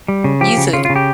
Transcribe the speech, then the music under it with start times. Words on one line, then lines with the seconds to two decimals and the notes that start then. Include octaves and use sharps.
You too.
0.08 G3
0.24 C#3
0.41 F3 G4
0.57 C#3
0.73 C#3 F4
0.85 F4
0.90 C#3
0.96 G4